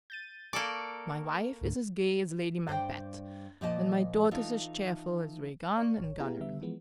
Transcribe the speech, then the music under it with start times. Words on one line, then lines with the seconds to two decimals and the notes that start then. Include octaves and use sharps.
My wife is as gay as Lady Macbeth, and my daughters as cheerful as Regan and Goneril.
0.10 G6 A6 D#7
0.53 A#3 A4 D5 C#6
1.61 C#2 G#2 D3
2.67 G2 C5 D5 G5
3.61 A#2 F3 D5 D#5 A5
4.31 E3 A3 D#4 F4
5.78 D5 F5 C#6
6.01 A1 C#5
6.19 B3 E4 G4 G#4 F5 A#5
6.40 D3 G3 B3 E5
6.62 E3 F3 G#3 B3